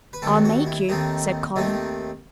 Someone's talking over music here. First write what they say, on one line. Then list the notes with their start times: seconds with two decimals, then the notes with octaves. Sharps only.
"I'll make you," said Colin.
0.13 B4
0.22 D#2 D#3 A3 C4 A4
0.45 F#4
0.67 E4
0.89 D#2 D#3 A3 C4 D#4
1.56 D#2 D#3 A3 C4 D#4